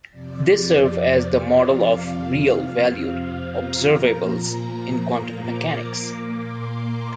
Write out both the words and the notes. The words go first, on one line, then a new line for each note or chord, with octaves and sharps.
They serve as the model of real-valued observables in quantum mechanics.
F2 C3 F3 D5
D5
F5
F2 C3 F3
F5
A#5
A#2 F3 A#3
A#5
D6
A#2 A#3
C6
A#5